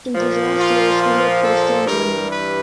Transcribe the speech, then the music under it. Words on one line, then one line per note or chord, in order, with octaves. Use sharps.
In his last years he lived mostly in Germany.
A#2 F3
F4
F4
A4
G2 E3 G3 A#4
B4